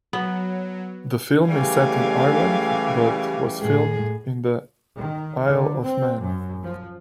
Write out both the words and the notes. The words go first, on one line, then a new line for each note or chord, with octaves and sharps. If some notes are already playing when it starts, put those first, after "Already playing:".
The film is set in Ireland but was filmed in the Isle of Man.
F#3 B3
C#3 E3 G3 A3 F5 G#5
A2 G#4
D#3
D3
C4
F#2
F3